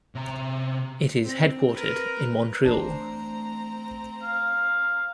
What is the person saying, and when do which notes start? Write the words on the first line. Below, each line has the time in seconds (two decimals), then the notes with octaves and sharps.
It is headquartered in Montreal.
0.16 C3 A#5
1.23 C4
1.74 A#4 B4
2.65 E3 A3 C4 D4 C5 A#5
4.22 F5